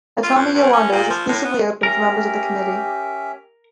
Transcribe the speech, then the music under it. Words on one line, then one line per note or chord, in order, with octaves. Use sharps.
Atami Yowado is exclusively opened for members of the committee.
F4
F2
G2
C#4
A#2
F3
A2
B3
C#4 G4 A#4 E5